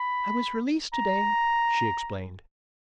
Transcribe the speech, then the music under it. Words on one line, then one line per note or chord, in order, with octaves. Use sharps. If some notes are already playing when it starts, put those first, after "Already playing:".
"I was released to-day," she explained.
Already playing: B5
A#5